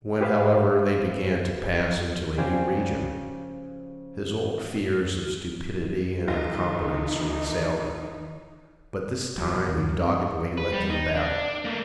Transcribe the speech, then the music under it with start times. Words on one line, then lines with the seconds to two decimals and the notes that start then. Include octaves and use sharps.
When, however, they began to pass into a new region, his old fears of stupidity and incompetence reassailed him, but this time he doggedly let them babble.
0.21 G4 G#4 B4 C5 E5 F5
2.38 C#3 F3 G4 C5 D5 G#5
6.28 B1 D#3 E3 D#4 F4 A#6
9.38 F#3
9.55 B2
9.68 D#2
9.89 F#2
10.00 C4
10.57 B4
10.72 G3
10.90 D#4
11.16 D4
11.65 A3 A#3